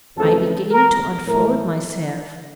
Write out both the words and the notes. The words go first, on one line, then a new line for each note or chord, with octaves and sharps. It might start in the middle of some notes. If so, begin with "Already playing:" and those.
I begin to unfold myself.
F2 C#3 E3 A3 A4
A#4
A2 E3 A3 A#4